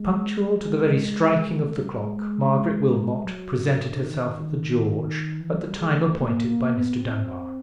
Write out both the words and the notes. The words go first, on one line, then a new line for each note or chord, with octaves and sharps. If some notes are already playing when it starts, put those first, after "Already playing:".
Punctual to the very striking of the clock, Margaret Wilmot presented herself at the George at the time appointed by Mr. Dunbar.
Already playing: G#3
G#3
A3
G3
G3
G#3
G#3
F#3
D3
D#3
D3
D#3
E3
F#3
G3
G#3
A3
A#3
A#3
B3
C4